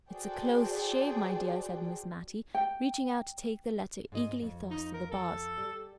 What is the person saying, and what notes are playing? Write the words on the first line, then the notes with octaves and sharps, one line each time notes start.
"It's a close shave, my dear," said Miss Mattie, reaching out to take the letter eagerly thrust through the bars.
F#4 G#4 A4 C5 D5 G5
G5
G#2 D#4 D#5
F2
D#4
A#4
A4
G3